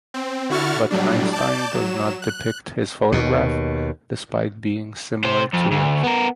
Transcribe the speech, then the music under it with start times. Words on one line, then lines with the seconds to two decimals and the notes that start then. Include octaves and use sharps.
But Einstein does not depict his photograph despite being similar to it.
0.14 C4
0.50 D3 E4 F#4 C#6 F6 A6
0.91 A2 F#3 G3 D4
1.31 D5 A5 D6 G6
1.70 F#3 E7
2.22 F#6
3.12 D#2 B2
5.24 C3 C5
5.53 F2
5.71 D2
6.04 B3 A#4